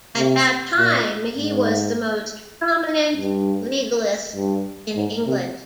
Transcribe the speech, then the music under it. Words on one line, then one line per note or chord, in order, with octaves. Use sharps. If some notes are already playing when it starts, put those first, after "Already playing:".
At that time, he was the most prominent legalist in England.
C3
A#2
G#2
G2
G2
G#2
C3